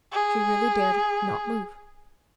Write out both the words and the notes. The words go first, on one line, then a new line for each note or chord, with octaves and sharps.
She really dared not move.
G#4